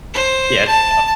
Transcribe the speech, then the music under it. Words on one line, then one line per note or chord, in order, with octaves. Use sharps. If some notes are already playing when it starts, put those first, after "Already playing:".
Yeah, it's tough.
C5
A5